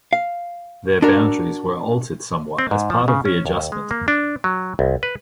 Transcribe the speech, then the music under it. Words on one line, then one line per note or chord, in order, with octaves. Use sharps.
Their boundaries were altered somewhat as part of the adjustment.
F5
D4 F#4 A#4
C4
G#2
F3
C#3
C#4
D#2
G#3
A#3
D4
F#3
C2
B4